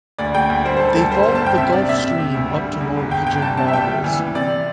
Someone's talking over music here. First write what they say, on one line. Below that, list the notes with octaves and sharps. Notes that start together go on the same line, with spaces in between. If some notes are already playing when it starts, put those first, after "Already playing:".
They follow the gulf stream up to Norwegian waters.
D2 D5
D2 G5
D2
G3 C5
C5
G3 A4
D2 A4
G3 C5
C5
G1
A5
G2 G5
C3 E5
C3 D5
C3 E5
C3
C3
D2
G3
D3
E2
G1
G1 G5
G1 G5
G3 A5
C3 A5
E5
G3 G5
G3
E3
E3
C3 D5